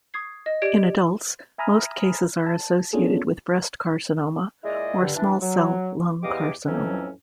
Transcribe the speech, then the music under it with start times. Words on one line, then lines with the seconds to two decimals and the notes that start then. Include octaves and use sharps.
In adults, most cases are associated with breast carcinoma or small-cell lung carcinoma.
0.14 C#6 D#6 G#6 C7
0.46 D#5
0.62 G4 D5 G#6 D7
1.58 E5 G#5 A#5 B5 D#6 F6
2.46 A5
2.93 B3 C#4 D4 F4 G#4 A4
4.64 A#2 G#3 E4 G#4 D5 D#5
5.01 G2 D3
5.16 E3 D4
5.41 F#3
6.23 E2 E3 G4 D#5 F5 D6
6.67 F2 A2 E3 F#3 C4 C#4